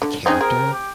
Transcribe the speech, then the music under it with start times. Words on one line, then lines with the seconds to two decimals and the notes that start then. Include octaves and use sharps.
the character
0.02 D3
0.26 C4 C#4 D#4 G#4
0.41 C4 G#4 A#4
0.73 G4